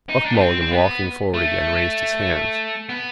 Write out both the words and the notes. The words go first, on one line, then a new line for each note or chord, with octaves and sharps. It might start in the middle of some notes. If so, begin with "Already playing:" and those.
Buck Mulligan, walking forward again, raised his hands.
D#4
D4
B3
C4
C4
B3
A3
B3